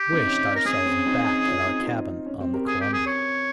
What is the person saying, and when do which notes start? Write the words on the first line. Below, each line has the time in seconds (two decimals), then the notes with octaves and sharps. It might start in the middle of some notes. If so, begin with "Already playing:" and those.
We wished ourselves back at our cabin on the Columbia.
Already playing: G4
0.12 C4 D#4
0.26 C#4
0.55 A#4
0.65 C4 G#4
0.76 C#4
0.85 C4
0.95 C#4
1.06 C4 D#4
1.46 C#4 F4
1.66 C4 D#4
1.80 F4
1.87 C4 D#4
2.26 C#4
2.40 C4
2.53 G4 A#4
2.67 G#4
2.81 G4
2.93 G#4
3.07 C#5